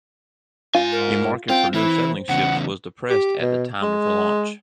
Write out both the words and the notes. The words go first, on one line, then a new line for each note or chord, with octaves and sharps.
The market for new sailing ships was depressed at the time of her launch.
G#2 F4 G#5
A#4
C4 F4 G5
E3 E4
E2 C#3 F#5
G4
B2
G#3